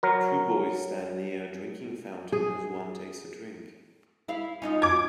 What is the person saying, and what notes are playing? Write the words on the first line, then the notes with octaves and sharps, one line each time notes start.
Two boys stand near a drinking fountain as one takes a drink.
F#3 A#4
G#4
E4 F5
C#4 D#4 F4
D6 G#6